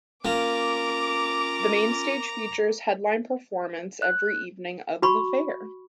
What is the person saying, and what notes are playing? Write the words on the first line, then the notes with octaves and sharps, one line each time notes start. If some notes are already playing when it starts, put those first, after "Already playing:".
The Main Stage features headline performance every evening of the fair.
A#3 C#4 F4 A#5 D6
F#6
F#4 B5 C#6